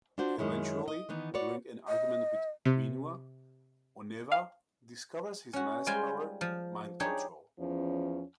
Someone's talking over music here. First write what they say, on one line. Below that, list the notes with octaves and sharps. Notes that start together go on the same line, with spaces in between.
Eventually, during an argument with Whenua, Onewa discovers his mask power, mind-control.
D4 F4 F#4 C5
F#2 D#3 G#3 C#4 E4
D#5
D#3 E3 B3 D#4
F#4 B4 C#5 D5
D#5
C3
F5
C#4 F#4
G3 G#3 F4 C5 G5 G#5
F3
D4 D#4 G4 G#4 C#5
E2 F3 C#4